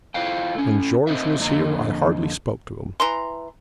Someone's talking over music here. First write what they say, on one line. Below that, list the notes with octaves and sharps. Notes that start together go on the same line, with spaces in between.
When George was here, I hardly spoke to him.
E4 F4 C5 F5 G5
A3 C#4
C4 D#4 A#4 C5 D#5 E5
F2 D3 A#3 D#4 D#5 A#5
E3 A#5 C6